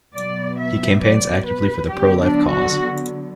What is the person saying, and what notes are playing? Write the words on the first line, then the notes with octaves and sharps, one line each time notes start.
He campaigns actively for the pro-life cause.
B2 F#3 B3 D5
E5
D5
B4
D3 F#3 B3 G4
D4
F#4